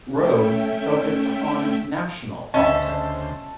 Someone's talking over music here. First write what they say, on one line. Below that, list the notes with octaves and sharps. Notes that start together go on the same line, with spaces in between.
Rhodes focused on national politics.
A3 C#4 E5 G5
D2 C#3 C#4 C5 D#5 E5 A5